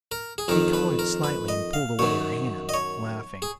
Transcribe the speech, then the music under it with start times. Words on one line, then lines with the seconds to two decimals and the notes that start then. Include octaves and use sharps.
She coloured slightly and pulled away her hands, laughing.
0.12 A#4
0.38 G#4
0.48 F2 D#3 A#4
0.73 B4
0.99 A#4
1.24 B4
1.48 D#5
1.73 F5
1.99 F#2 D#3 C#5
2.69 D#5
2.74 C#5
3.42 G#4